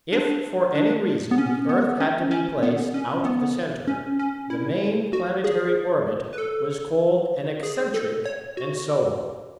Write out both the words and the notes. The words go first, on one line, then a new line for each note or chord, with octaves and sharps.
If for any reason the earth had to be placed out of the centre, the main planetary orbit was called an Excentric, and so on.
D4
D4
B3
C#4
B3
C#4
C#4
B3
C#4
B3
C#4
C#4
E4
F#4
G#4
B4
A4
G#4
A4
C#5
F#4